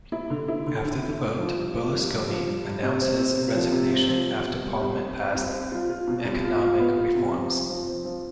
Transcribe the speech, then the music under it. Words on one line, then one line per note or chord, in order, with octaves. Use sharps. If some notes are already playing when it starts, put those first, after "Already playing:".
After the vote, Berlusconi announced his resignation after Parliament passed economic reforms.
E4
D3
E4
D3
D3
E4
D3
F3
G2
F3
G2
G2
F3
G2
G2
C3
C4
C4
C3
F3
C3
C4
F3
G3
B2
G3
C2
C4
C4
C2
C4
F4
F4
B2
C2
F4
F4
B3
F4
C3
F3
C4
F3
C4
F3